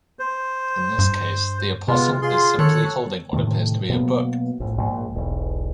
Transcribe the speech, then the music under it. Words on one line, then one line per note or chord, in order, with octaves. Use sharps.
In this case the apostle is simply holding what appears to be a book.
C5
G2
C3 G#3 B3 F4
F4 G#4 C6
D#3 A4 C#5 F#6
A2 C3 D#3 A3
B2 F#3 A#3 B3
A#1 A2
A#1 G#2 A#3
E1 B1